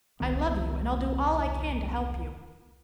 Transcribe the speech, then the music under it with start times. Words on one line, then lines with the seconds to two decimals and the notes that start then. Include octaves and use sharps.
I love you, and I'll do all I can to help you.
0.20 E1 C2 D#3 B3